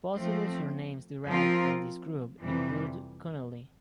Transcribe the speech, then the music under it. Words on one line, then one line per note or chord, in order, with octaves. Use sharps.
Possible surnames derived from this group include Connolly.
F3 A3 C4
F3 C4 F4 A#4
F2 C3 E3 G3